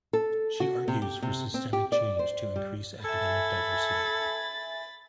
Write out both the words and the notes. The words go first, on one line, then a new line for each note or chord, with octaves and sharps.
She argues for systemic change to increase academic diversity.
A4
F#4
C3
G4
C3
C4
G4
D5
C5
G3
A4 E5 G#5 B5 G#6 A6